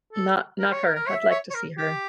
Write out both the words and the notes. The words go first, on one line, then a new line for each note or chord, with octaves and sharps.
not not her, I'd like to see her.
A4
A#4
C#5
A#4
A#4
C#5 E5
C#5
C#5
A#4
G4